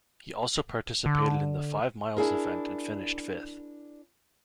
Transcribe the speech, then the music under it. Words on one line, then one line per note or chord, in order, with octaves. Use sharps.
He also participated in the five miles event and finished fifth.
D3
D4 E4 G#4 A#4